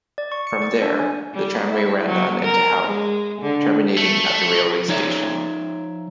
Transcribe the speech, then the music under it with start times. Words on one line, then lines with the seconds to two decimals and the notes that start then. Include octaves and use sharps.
From there, the tramway ran down into Howth, terminating at the railway station.
0.18 D5
0.32 C#6
0.47 C#7
0.62 D5
0.82 D4
0.99 G#5
1.34 G3
1.69 E4
2.06 F#3
2.42 A#4
2.87 G#3
3.42 D3
3.98 A3
4.88 F3 D#4 C#5 D5 E5